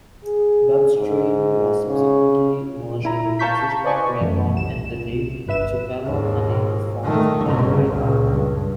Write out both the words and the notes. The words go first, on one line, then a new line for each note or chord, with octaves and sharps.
WebStream was subsequently merged with existing Raycom entity Tupelo Honey to form Tupelo Raycom.
G#4
G#2
C#3
A#2 E4 A#5
F5 A5 A#5 C#6 G6 B6
B4 C5 D5 D#5 G#5 C#6
F#2 E3 A3
C2 C3 E7
G1 G2 B4 E5 E7
D#2 G#2
D#3 A3
G1 C#3
C#2 A#2
G2